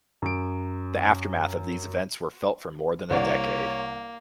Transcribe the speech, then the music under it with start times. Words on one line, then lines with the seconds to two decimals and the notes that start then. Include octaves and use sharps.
The aftermath of these events were felt for more than a decade.
0.22 F#2 D7
3.10 C2 A#3 C#5 D5 F#5